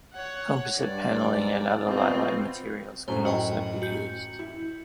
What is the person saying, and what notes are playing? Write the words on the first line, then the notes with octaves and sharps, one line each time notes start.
Composite paneling and other lightweight materials can also be used.
C#5 F#5
G2 D5
B2 C4 F4
F#2 A2 F#3 C5
F#4 D#5 G5
F#4 G6 C#7
E4